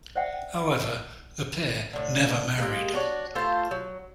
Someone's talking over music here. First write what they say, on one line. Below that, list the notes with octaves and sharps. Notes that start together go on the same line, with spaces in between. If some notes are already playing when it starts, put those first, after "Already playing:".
However, the pair never married.
C5 D5 E5 F#5 G5
A2 D3
G#3 A#3 G4 D#5
D4 F#4 C#5
A3 F4 A4 C5
F#3